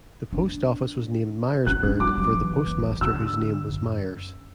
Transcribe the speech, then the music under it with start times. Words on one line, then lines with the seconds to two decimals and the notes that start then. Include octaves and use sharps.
The post-office was named Miersburg for the postmaster whose name was Miers.
0.33 D4
1.66 C#4 F#6
1.84 D4
2.00 G3 D6
2.18 F#3
2.35 E3
2.67 A#3
2.77 G3
2.84 F#3
2.93 E3
3.01 D3 E6
3.69 F#2